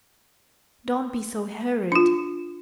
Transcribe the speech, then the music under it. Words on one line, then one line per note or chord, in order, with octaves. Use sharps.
Don't be so hurried!
D4 F4